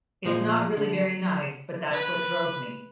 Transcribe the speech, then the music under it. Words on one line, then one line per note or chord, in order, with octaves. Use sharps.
It's not really very nice, but that's what drove me.
A#2 F3 G#3
D3
B4